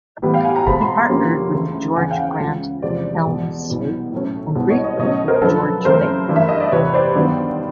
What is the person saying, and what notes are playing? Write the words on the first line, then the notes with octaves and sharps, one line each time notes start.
He partnered with George Grant Elmslie, and briefly with George Feick.
A2 E3 G3 B3
F5 G5
F#5 G#5
G#5 A#5
B2 G#3 C4 A5 B5
A#5 C6
A#5 C6
F2 D3 G3 A#3 C#4
D2 C#3 E3 A3
E2 C#3 E3 F#5 G#5
F5 G5
C#2 C#3 E3
E2 C3 F3 G#3 C4 C5 D5
E2 B2 G#3
C2 B2 F#3 B3
A2 F#3 A3 C#4
C2 B2 G#3 B3
C#5 D#5
C#5 D#5
B2 F#3 A3 C#4 C#5 D#5
A#4 C5
F#2 D3 F3 A4 B4
F#2 C#3 E3 A3 C4 A#4 C5
G2 E3 A3
E5
D#5
D5
E2 C3 E3 B4 C#5
C5 D5
G2 D#3 F#3 B3